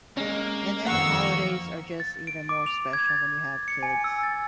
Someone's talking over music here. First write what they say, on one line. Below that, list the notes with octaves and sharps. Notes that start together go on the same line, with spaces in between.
and then holidays are just even more special when you have kids.
G#3 A#3 C#4
F2 D#3 F#5 C#6 E6
A6
D7
D6
F7
G#6
A6
C#7
G#5
E6
A6